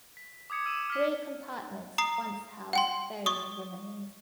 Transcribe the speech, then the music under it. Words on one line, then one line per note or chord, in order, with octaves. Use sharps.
Three compartments once housed buried remains.
B6
D6 D#6 G#6 C#7
E6 D#7 E7
F6 B6
A#5 D#6 C7
F#5 G5 C6
C#6 D#6